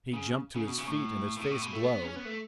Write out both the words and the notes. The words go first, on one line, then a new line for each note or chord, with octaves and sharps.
He jumped to his feet, and his face glowed.
C#3
C#3
B2
C#3
A2
A2
B2
A2
B2
A3
B3
C#4
B3
A3